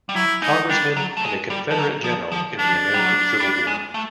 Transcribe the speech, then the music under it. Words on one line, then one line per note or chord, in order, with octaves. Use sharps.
Congressman, and a Confederate general in the American Civil War.
G3
F#3 E4
G#3 D#4
G3 D4
F#3
A3
G#3
G3
F3
F#3
F3
F3
F3 D4
G3
F#3
G3
G#3
A3